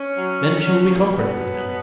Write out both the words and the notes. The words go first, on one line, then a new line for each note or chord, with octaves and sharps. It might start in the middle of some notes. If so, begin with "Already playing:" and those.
Then she will be comforted again.
Already playing: C#4
F#3
F#3
F#3
A#2
B2 B3
F#3
B2